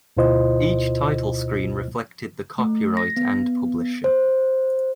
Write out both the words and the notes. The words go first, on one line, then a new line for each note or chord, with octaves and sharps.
Each title screen reflected the copyright and publisher.
D2 B2 E4 F4 C5 D#5
A3
A#6
B3
C5